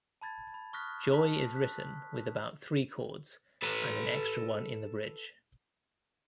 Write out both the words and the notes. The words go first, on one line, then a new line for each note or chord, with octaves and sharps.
"Joy" is written with about three chords, and an extra one in the bridge.
A5 B5 G#6 A6
B5
C#6 D#6 F6 F#6 A#6 B6
A5 B6
F#6 B6
A4 B4